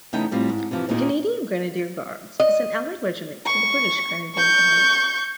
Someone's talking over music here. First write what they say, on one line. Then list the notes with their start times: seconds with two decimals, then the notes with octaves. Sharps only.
The Canadian Grenadier Guards is an allied regiment to the British Grenadier Guards.
0.13 E2 C#3 A3 D#4 E4 G5
0.31 A2 G3 C4 F4
0.49 G#2
0.71 C3 E3 F3
0.89 D#2 A#2 D#3 D#4 G#4
2.40 D#5
3.46 C#6
4.35 C#6 G6